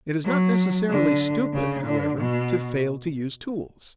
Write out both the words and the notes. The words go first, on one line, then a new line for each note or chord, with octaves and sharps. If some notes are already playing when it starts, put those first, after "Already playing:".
It is not necessarily stupid however, to fail to use tools.
F#3
D3
C#3
D3
B2